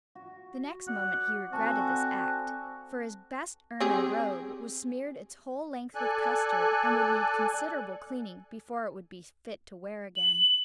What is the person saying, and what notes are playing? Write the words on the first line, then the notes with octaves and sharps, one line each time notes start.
The next moment he regretted this act, for his best ermine robe was smeared its whole length with custard, and would need considerable cleaning before it would be fit to wear again.
F#4
D5 F#5
C4 F#4 A4 G#5
C4 G4 G#4
A4 D5 G#5 F#6
F#7